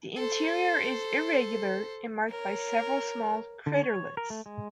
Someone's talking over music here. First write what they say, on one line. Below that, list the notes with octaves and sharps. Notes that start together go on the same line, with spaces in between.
The interior is irregular and marked by several small craterlets.
A4 C5
A#4 C#5
D3
C#5
A#4
A3
G#3